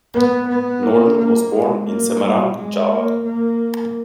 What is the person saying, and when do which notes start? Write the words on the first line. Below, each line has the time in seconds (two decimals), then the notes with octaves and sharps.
Norden was born in Semarang, Java.
0.14 B3
0.48 B3
0.83 A#3
1.17 A#3
1.52 G#3
1.86 A#3
2.20 G3
2.55 G#3
2.90 A#3
3.24 A#3